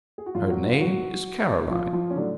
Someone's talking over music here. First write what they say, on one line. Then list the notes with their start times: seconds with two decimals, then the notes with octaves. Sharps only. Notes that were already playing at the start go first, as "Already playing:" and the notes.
'Her name is Caroline.
0.18 G#4
0.26 F#4
0.35 G#2 F3 F#3 F4
0.50 F#3 F#4
0.69 F4
0.81 F#3 F#4
1.70 F3 F4
1.93 F3 F4
2.10 C#4
2.16 A2 D3 F#3 D4